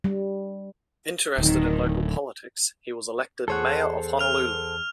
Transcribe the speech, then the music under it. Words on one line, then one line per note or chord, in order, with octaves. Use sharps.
Interested in local politics, he was elected Mayor of Honolulu.
G3
D1 D#3
E2 G#4 A4 C5 C#5 F#5
F6 F7